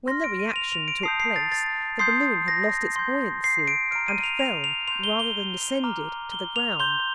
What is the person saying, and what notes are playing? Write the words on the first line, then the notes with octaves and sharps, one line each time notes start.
When the re-action took place, the balloon had lost its buoyancy, and fell, rather than descended, to the ground.
C6 F6 A#6
D7
D#7
F7
F7
D7
A5 D#6 G6 C7
C7
A6
A6
C6 D#6 G6 C7
A#6
C6 G6
C7
D7
A#5 F6 D7
D#7
F7
F7
F7
C6 G6 F7
G7
G7
A#5 D6 F6
G7
F7
C6 G6 G7